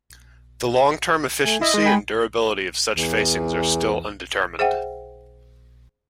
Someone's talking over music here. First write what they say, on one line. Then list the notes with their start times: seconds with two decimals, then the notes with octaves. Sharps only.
The long-term efficiency and durability of such facings are still undetermined.
1.44 A3 G#5
1.61 E4 D#5
1.74 G#3
1.85 G5 G#5 B5
2.94 E2
4.59 G#4 C5 E5 F#5 G5